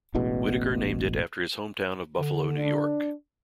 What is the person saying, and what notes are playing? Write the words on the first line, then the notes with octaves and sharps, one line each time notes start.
Whittacker named it after his hometown of Buffalo, New York.
E1 A1 E2 B2
D3
D4